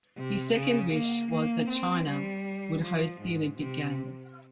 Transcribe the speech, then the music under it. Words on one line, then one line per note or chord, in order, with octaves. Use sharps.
His second wish was that China would host the Olympic Games.
C3
C#3
A#3
A#3
C4
G3
F3
G#2
C3